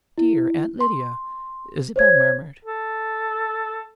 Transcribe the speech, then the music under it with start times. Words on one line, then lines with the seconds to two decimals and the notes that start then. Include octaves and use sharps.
"Dear Aunt Lydia," Isabel murmured.
0.18 E4
0.81 C6
1.96 C5 C#5 G#6
2.64 A4